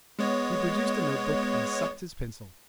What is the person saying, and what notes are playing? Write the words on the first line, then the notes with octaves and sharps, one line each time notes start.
He produced a notebook and sucked his pencil.
G#3 B3 C#5